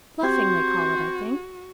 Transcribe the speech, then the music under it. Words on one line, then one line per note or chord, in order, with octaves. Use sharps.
Fluffing they call it, I think.
C4 F#4 G4 C5 G#6